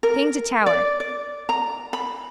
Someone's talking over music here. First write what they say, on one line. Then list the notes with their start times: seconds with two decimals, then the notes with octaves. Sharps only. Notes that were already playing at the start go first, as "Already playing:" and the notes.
King to tower.
0.03 A#4
0.66 D5
1.00 D5
1.49 A#5
1.93 B5